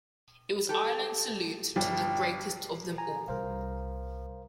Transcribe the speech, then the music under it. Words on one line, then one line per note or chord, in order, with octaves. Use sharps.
It was Ireland's salute to the greatest of them all.
G4 A4
G1 F3 G3 G5
G#5 A#5
C2 A#4 C5 F5